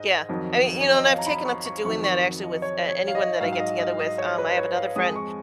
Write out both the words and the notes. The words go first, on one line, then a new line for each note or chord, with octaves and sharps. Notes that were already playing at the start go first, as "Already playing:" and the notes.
Yeah. I mean, you know, and I've taken up to doing that actually with, uh, anyone that I get together with, um, I have another friend,
Already playing: G#2 D#5
F2 D#3 F#3
C#5
D#5
F5
A#5
B5
C#6
C#6
F2 D#3 F#3 C#6
C#6
D#5
C#5
C#5
F5
D#5
G#2 F#3 F5
F5
D#5
D#5
D#5
C#5
B4
C#5
F5
F2 F3 G#3 D#6
C#6